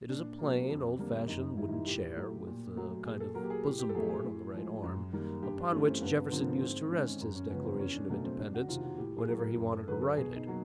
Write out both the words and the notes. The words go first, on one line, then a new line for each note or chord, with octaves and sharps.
It is a plain, old-fashioned wooden chair, with a kind of bosom-board on the right arm, upon which Jefferson used to rest his Declaration of Independence whenever he wanted to write it.
A#2 D4
F#3 A#3
F2
D3 G3 A#3
F#2 D#4
D#4
D#3 G3 E4
D#4
E4
A2 G4
F#3 A3
A#2
F#3 A3
A#2 G#4
A4
F#3 A#3 A#4
G4
G#4
A2 G4
G4
A4
F#3 A3 G#4
G#4
A2
F3 G#3
F#2
D#3 G3 A#3
G2 G4
D4
E3 A3 C#4
C4
G2 B3
D3 F3 A#3 C4
G#2 C4
D#3 G#3 C#4
F#2
C#4
C#3 F3 G#3 B3
C4
E2 C#4
D4
B2 F#3 A3 C#4
C4
F2 D4
F#4
C3 D#3 F4
F#4
A2 G4
G#4
F#3 A#3
A#4
F#2
A4
D3 F#3 B4
A4
B2 G#4
D#4
F#3 A#3